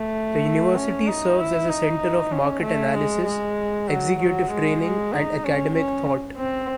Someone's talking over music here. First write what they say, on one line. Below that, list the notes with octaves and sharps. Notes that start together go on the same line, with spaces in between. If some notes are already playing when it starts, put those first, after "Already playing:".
The university serves as a centre of market analysis, executive training and academic thought.
Already playing: A3
C#4
D#4
E4
D#4
C#4
A3
G#3
G#3
F#3
F#3
G#3
G#3
D#4
C#4
C#4
C4